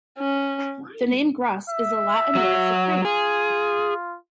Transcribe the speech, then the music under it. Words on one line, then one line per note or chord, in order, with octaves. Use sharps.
The name "Grus" is the Latin word for "crane".
C#4
E5
F#3 F#4
F4 G#4